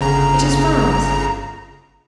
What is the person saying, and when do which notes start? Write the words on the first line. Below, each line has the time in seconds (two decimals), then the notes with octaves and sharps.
It is France.
0.01 G1 C#3 A#5